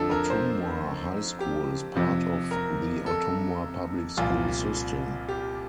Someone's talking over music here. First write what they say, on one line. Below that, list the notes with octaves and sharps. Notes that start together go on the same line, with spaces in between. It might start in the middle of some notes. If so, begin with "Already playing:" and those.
Ottumwa High School is part of the Ottumwa public school system.
Already playing: F2 D3 F3 A4
A#4
C5
G4
F2 C3 F3
A#4
A4
C2 A#2 F3 F4
G4